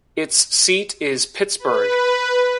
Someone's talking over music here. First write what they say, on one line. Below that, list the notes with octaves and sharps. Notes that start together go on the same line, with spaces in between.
Its seat is Pittsburg.
B4